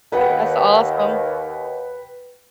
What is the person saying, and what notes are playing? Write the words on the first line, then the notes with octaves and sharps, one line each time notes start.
That's awesome.
D#2 B4 F#5 G5